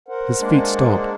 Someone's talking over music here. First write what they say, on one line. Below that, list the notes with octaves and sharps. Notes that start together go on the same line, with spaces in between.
His feet stopped.
A#4 C5 F#5
G#3 A#3 D4